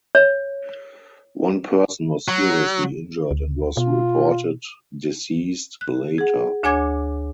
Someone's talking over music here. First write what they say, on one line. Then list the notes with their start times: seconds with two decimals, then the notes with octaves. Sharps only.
One person was seriously injured and was reported deceased later.
0.15 C#5
2.28 F#3
3.31 D2
3.77 B2 F4
5.81 F#6
6.18 G#4 F#5
6.63 D2 D4 C#5 G#5 D6 G#6